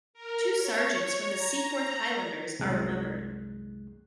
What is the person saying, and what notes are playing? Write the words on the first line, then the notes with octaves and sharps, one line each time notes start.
Two sergeants from the Seaforth Highlanders are remembered.
A#4
C#5
A#5
C2 F#2 G#3 F#6